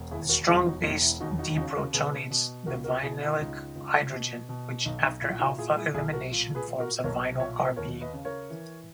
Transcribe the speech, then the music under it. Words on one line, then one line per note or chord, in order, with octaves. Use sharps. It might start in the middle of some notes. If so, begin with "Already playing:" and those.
The strong base deprotonates the vinylic hydrogen, which after alpha-elimination forms a vinyl carbene.
Already playing: E1
D#2 E4 G#4
F#4 A#4
E1 E4 G#4
D#4 F#4
E1 E4
E4
D#2 D#4 F#4
D#4 F#4
C#3 D#4 F#4
F#4 A#4
B2 G#4 B4
B2
C#2 F#4 A#4
F#4 A#4
B2 E4 G#4
E4
C#2 D#4
C#2
B2
B2
B1 D#4
D#4
A#2 E4
D#4 F#4
A#2 E4 G#4
E4 G#4
B1 E4 G#4
F#4 A#4
A#2
G#4 B4
A#2
F#4 A#4
B1 A#4 C#5
A#2 C#5 E5
B4 D#5
D#2 A#4 C#5
B4 D#5
C#3
A#4 C#5
E3